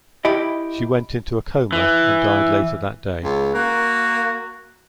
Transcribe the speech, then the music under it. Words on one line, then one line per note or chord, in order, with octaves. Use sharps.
She went into a coma and died later that day.
E4 G4 D#5
E3
C#2
A#3 F#4